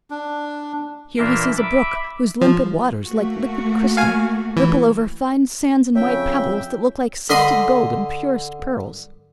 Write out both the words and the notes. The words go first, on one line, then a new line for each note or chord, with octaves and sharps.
Here he sees a brook whose limpid waters, like liquid crystal, ripple over fine sands and white pebbles that look like sifted gold and purest pearls.
D4
A#2 E3 D4 A#4 E5 C6
E5 B5 D6
F3
A3 A#3 F#4
F5 G#5
E3
F2 C#3 C#5 E5 G5
D3 D#5 B5 C6 D#6